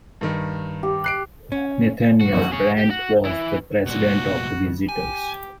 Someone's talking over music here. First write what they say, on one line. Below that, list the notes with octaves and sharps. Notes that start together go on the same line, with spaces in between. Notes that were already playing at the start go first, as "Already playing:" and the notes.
Nathaniel Brent was the president of the visitors.
G2 D#3
G4
F#6 C7 D7
C#4
F#4
G#4 C#5
G4
F#4
E3 E4
C2 A#2 F#4
G4 G#5